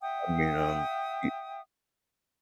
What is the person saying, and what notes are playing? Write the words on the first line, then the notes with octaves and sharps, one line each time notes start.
I mean, um, y
E5 F#5 G5 D#6